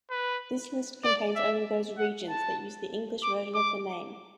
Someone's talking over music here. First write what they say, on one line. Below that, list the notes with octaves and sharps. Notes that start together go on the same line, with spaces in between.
This list contains only those regions that use the English version of the name.
B4
D5
E5
F#5
A5
D6
D6